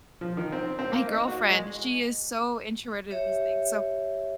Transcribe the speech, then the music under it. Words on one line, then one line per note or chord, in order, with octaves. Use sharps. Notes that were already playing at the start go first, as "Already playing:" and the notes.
my girlfriend, she is so introverted to these things, so,
F3
D#3
C4
C4
A#3
D#4
F#4
G#3
G4 C#5 E5